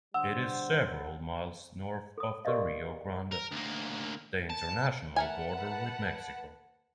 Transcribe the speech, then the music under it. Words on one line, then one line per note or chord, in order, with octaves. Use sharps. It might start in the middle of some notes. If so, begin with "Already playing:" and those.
It is several miles north of the Rio Grande, the international border with Mexico.
D3 G3 C5 F#5 E6
A4 D#6
F#4 G4 A#4 D5 D#5 F5
A#4
D2 A#3
A5
A3 A#4 B4 F#5 G#5 A5